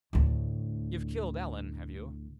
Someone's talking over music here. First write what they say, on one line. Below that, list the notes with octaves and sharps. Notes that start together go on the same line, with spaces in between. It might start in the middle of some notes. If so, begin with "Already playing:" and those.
You've killed Alan, have you?
D2 A2